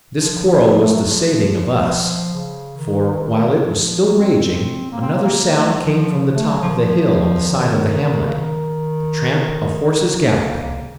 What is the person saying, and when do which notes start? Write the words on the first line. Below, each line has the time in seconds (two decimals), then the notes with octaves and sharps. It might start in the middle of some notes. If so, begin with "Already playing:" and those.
This quarrel was the saving of us, for while it was still raging, another sound came from the top of the hill on the side of the hamlet--the tramp of horses galloping.
0.20 F3
0.82 A3
0.94 F#3
1.06 F3
2.34 C#3
2.77 D#3
3.63 F3
4.05 F#3
4.20 C4
4.35 C4
4.92 A#3
5.01 C4
5.13 A#3
5.24 A#3
5.34 A#3
5.45 A#3
5.56 A3
5.65 F#3
5.77 F3
6.34 A3
6.48 F#3
6.62 F3
6.69 D#3
6.77 F3
7.48 D#3
8.26 C#3
8.33 D#3
10.05 F#3
10.20 A3
10.34 A#3
10.48 A#3
10.62 A#3
10.77 C#3